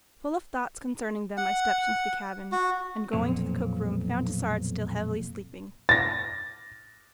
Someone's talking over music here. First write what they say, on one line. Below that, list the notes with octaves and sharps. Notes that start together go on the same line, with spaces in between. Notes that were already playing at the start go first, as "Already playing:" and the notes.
Full of thoughts concerning them I stepped into the cabin, and, going to the cook-room, found Tassard still heavily sleeping.
F#5
F#4
B1 F2 A#2
A6 A#6